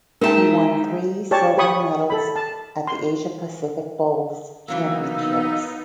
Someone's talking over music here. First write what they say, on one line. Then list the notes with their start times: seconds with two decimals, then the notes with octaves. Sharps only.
He won three silver medals at the Asia Pacific Bowls Championships.
0.21 G#3 D#4 A#4 E5 G5 A5 C6
1.31 G4 C#5 D5 A5
1.57 G4 C#5 B5 C#6 D#6
2.10 A4 B5
2.36 A5
2.87 C6
4.68 E3 F#3 A#3 B3 D#4 F5 E6